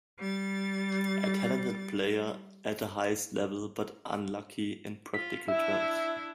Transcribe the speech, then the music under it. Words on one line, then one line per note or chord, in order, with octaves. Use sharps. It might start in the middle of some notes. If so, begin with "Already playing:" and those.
A talented player at the highest level, but unlucky in practical terms.
G3 A6
F4 B6
D4 E4 E5